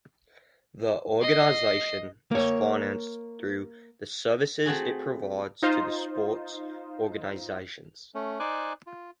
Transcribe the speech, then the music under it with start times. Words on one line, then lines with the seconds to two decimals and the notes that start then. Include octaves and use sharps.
The organisation is financed through the services it provides to the sport organisations.
1.21 D#5 C7
2.31 A#3 C#5
4.66 A3 C4 F#4 G#4
5.62 D#4 F4 C5
8.15 A3 C#4
8.40 D#4 C5 D5 G#5 D6 F#6
8.87 F4